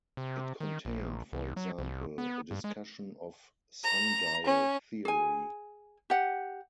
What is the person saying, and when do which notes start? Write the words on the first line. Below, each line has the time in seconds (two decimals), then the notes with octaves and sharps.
It contained, for example, a discussion of sundial theory.
0.17 C3
0.60 D#3
0.85 A#1
1.32 C2
1.57 F#3
1.78 C2
2.18 B3
2.51 G2
2.64 G#3
3.83 A#5
4.45 C#4
5.05 G#4 G#5
6.10 G4 F#5